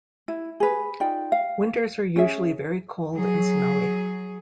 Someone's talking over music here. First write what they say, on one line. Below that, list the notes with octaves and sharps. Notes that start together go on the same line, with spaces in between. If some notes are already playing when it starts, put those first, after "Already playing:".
Winters are usually very cold and snowy.
E4
G#4 B4
D#4 F4 D5 G5
F5
C#4 G#4 C#5 E5
F#3 G#4